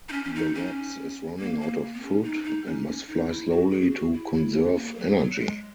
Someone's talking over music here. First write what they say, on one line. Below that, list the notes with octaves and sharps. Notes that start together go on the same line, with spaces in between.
The Lexx is running out of food and must fly slowly to conserve energy.
D#4
C#4
C#4
D#4
C#4
A#3
A#3
B3
C#4
D#4
D#4
C#4
D#4
C#4
D#4
E4
F#4
G#4
F#4
E4
E4
B3
A#3
F#3
F#3
G#3